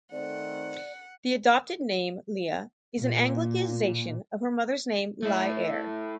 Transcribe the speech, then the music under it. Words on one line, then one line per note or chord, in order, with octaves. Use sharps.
The adopted name "Leah" is an anglicization of her mother's name "Li-Er".
D#3 A3 C4 D5 F#5
A#2
A3 E4